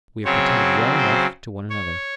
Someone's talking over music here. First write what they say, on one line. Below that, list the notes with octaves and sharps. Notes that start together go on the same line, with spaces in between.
We have pretended well enough to one another.
C#3 F#3 C4 C#5
C5
C#5